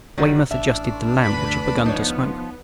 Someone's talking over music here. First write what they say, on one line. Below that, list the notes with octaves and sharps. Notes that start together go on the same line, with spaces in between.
Weymouth adjusted the lamp which had begun to smoke.
F1 D#3 F#3 G3
A1 D4 E5
D2 G2 B4 B5
F3 B3 D#4 C#5